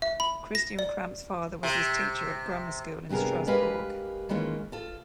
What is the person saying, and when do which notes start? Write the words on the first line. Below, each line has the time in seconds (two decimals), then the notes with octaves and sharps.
Christian Kramp's father was his teacher at grammar school in Strasbourg.
0.02 E5
0.20 B5
0.55 A#6
0.79 D5
1.63 C3
3.09 G2 C3 B3 G#4 A#4
3.47 G#3 G4 A#4 B4 F5 G#5
4.29 D#3 E3 G#3 A#3 C#4 F4
4.72 F4 A4